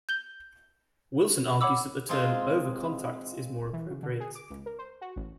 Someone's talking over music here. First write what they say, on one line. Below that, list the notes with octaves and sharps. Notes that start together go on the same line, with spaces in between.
Wilson argues that the term "overcontact" is more appropriate.
G6 G7
C#5 F#5 B5 D6 E6
G#3 C4 D#4 F4
E3
C#3
D3
G#4
D6
C#2
A#4
C5
F#4
A1